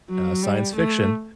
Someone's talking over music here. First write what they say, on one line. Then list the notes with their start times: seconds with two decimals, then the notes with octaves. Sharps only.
uh, science fiction,
0.10 F#3
0.42 G3
0.76 A3